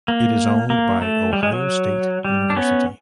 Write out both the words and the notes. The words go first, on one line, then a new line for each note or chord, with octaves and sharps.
It is owned by Ohio State University.
A#3
A#3
A3
G3
G#3
F#3
G3
D4
B3 C#4